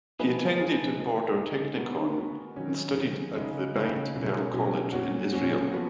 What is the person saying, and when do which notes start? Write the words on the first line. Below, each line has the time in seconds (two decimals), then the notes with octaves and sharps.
He attended Border Technikon and studied at the Beit Berl College in Israel.
0.19 F3 A#3 D#4 G#4 B4
0.58 F3 A#3 D#4 G#4 B4
0.98 G#3 D#4 A#4
1.37 G#3 D#4 A#4
1.77 G#3 B3 F#4 A#4
2.17 G#3 B3 F#4 A#4
2.56 D#3 F#3 C#4
2.95 D#3 F#3 C#4
3.36 C#3 G#3 D#4
3.74 C#3 G#3 D#4
4.14 B2 F#3 C#4
4.53 B2 F#3 C#4
4.93 A#2 F#3 C#4 F#4
5.33 A#2 F#3 C#4 F#4
5.72 F3 B3 F#4